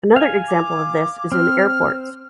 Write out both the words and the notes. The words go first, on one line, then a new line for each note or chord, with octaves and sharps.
Another example of this is in airports.
F5 G#5
D6
C4 F6